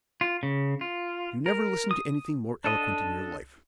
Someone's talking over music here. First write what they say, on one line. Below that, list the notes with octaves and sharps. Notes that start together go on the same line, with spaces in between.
You never listened to anything more eloquent in your life.
F4
C#3
F4
A#4
D#6
D4 A4 D#5